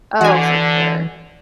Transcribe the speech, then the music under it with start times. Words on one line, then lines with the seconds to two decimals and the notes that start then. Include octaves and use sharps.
Oh, for sure.
0.21 D3 E3 F#4 G#5